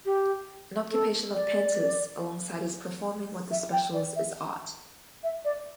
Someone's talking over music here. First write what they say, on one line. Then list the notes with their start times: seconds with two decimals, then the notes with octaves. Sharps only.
An occupation of Panter's alongside his performing with the Specials is art.
0.06 G4
0.91 A4
1.35 D5
3.51 E5
3.72 G5
3.94 D5
4.16 E5
5.24 E5
5.45 D5